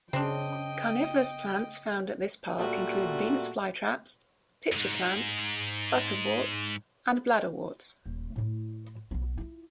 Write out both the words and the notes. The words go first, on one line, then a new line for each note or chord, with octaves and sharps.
Carnivorous plants found at this park include Venus flytraps, pitcher plants, butterworts and bladderworts.
C#3 C4 D4 D#5 G5
A#2 G3 A3 F#4
F2 G#2
D#1
A2 E4
B1 B3
E4 F4